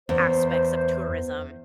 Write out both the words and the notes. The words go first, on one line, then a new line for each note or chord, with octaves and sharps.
aspects of tourism,
E2 C5